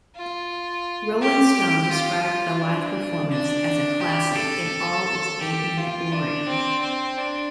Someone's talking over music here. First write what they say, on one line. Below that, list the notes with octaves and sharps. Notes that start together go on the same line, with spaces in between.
"Rolling Stone" described the live performance as "a classic in all its eight-minute glory".
F4
G4
G4
F4
D4
D4
G4
A4
G4
F4
D4
C4
C4
D4